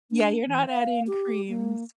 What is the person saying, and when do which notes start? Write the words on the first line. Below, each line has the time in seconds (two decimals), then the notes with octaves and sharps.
Yeah, you're not adding creams.
0.12 D4
0.47 E3
0.69 F5
1.07 G4
1.48 A#3